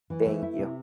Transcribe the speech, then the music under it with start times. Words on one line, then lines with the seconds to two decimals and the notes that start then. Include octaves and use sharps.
Thank you.
0.10 E3
0.26 A3
0.43 E4
0.59 C3